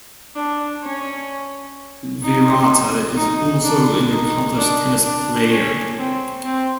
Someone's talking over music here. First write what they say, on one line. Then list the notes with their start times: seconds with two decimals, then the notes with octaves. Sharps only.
Virata is also an accomplished tennis player.
0.36 D4
0.83 C#4
2.23 D#4
3.17 D#4
3.64 D4
4.10 D#4
4.57 D4
5.04 D4
5.51 C#4
5.98 C4
6.45 C4